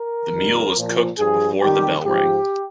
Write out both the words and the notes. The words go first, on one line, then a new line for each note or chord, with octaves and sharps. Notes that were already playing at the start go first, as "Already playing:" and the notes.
The meal was cooked before the bell rang.
Already playing: A#4
F2 D#3 G3
A#2 F3
G2 F3 G#4
F2 D#3 G3 G4
G#2 F3 G4